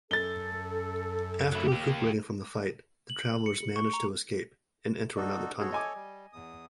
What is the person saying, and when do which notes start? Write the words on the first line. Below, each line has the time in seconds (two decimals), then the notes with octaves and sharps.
After recuperating from the fight, the travelers manage to escape, and enter another tunnel.
0.11 F#2 A4 A6 G7
1.52 F#3 E4
1.68 A#3 G4
3.10 F#7
3.46 C#7
3.76 C#6
3.93 A#5
5.17 D4 D#4 F#4 A4
5.60 F#4 G#4 A4 C#5
5.72 D#5 G#5 D6
5.95 G3
6.33 E2 D#6